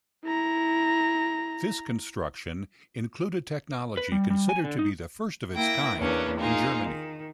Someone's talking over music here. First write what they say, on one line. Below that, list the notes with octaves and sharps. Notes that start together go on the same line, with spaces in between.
This construction included technology considered to be the first of its kind in Germany.
E4 A#5
B4
G3
G3
G#5
D3
D#4
A#3 E4 G5 A#6
E2 A#3 B3 C#4 D4
A#3 D#4 F4 G#4
D#3